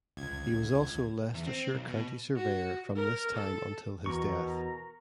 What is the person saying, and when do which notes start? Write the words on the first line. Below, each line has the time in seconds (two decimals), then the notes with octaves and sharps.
He was also Leicestershire County Surveyor from this time until his death.
0.17 C#2 G#6
1.34 E2
1.47 C4
1.74 B1
1.88 B2
2.36 F#4
2.96 A#4
3.33 A4
4.06 E2 B2 A#4 A#5 C#6